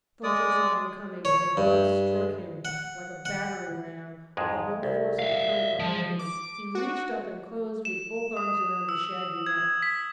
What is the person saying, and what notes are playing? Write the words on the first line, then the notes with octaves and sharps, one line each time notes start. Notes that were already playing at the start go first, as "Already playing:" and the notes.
Thornton saw him coming, and, as Buck struck him like a battering ram, with the whole force of the current behind him, he reached up and closed with both arms around the shaggy neck.
G#3 D5 D#6
C#5
G2
F#5
F#5
F2 G#2 G#3
C2
E5 F5
F3
D6
F#4
E7
D#6
E6
G#6
B6